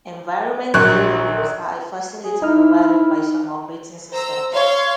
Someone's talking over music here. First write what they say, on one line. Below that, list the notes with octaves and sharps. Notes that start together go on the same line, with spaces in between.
Environment variables are a facility provided by some operating systems.
A#1 F#3 C#6 F#6
G#4
D#4 E4 F6
C5 A#5 E6
C#5 F5 C6